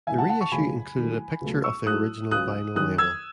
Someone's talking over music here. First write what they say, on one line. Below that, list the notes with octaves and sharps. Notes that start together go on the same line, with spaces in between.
The reissue included a picture of the original vinyl label.
E2 C#3 G#3 E5 G#5
F#5 A5
F#5 A5
A5 C#6
C#2 C#3 F#3 A3 G#5 B5
E2 D#3 F#3 A3
C#2 B2 F#3 A3
C#6 E6
A2 F#3 A3 D#6 F#6
C#2 C#3 F#3 D#6 F#6
F#2 D#3 F#3 D#6 F#6
E6 G#6